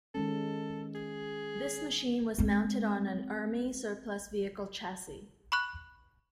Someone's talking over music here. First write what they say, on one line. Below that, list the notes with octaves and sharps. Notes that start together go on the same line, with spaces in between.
This machine was mounted on an army surplus vehicle chassis.
D#3 G#3 C#4 A4
G#4
G#3 C4
B5 C#6 F#6